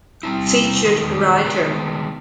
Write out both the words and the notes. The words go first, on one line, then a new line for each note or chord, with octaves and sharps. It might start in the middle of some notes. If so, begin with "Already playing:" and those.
Featured writer.
G3 C4 E4
D#3 G#3 B3
D#3 G#3 B3